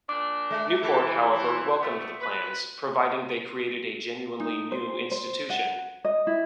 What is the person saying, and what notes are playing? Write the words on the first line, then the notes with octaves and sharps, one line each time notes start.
Newport however, welcomed the plans, providing they created a genuinely new institution.
A#2 D4 D6
G#3
E3 G4 A4
C4 C5
A3 B3 C#5
B4
D#4
C5
C5
F#5
D#5
E4